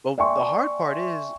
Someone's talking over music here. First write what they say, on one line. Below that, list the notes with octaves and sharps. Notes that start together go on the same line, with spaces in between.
but w the hard part is
D5 E5 G5 G#5 C6 C#6